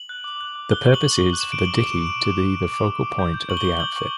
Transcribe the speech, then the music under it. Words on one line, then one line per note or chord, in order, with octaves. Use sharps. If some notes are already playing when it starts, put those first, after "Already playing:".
The purpose is for the dickey to be the focal point of the outfit.
Already playing: F#7
F#6
D6
F#6
D6
F#6 G7
C#6
F#7
F#6
F#7
C#6 G7
F#6 F#7
E7
C#6 D7
D6 F#7
D6 D7
E7
D6
D6
D6
D6
D6
D6
D6
D6
G6
G6
C#6 F#7
G7
C#6 F#7
G7
G6 F#7
C#6 F#7